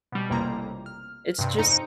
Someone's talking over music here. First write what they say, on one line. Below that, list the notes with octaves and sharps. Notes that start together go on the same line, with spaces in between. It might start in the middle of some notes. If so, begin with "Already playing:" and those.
It's just
B2 G3
A1 F2 C3 G3 A#3 A#5
F6
G2 C3
F2 D#4 A#5 C#7